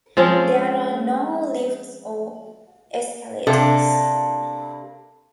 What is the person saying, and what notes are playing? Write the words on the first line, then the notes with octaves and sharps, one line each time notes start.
There are no lifts or escalators.
F3 G#3 C4 C#4
C3 A#3 D4 A4